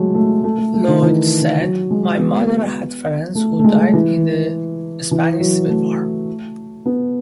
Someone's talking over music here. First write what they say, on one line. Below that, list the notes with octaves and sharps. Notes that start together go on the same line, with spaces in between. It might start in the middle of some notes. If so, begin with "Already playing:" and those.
Lloyd said: my mother had friends who died in the Spanish Civil War.
Already playing: F#3 G#3 A3
A3
A3
A3
A3
D#3
E3
D#3
F#3
G#3
B3
A3
A3
G#3
E3
E3
F#3
A3
B3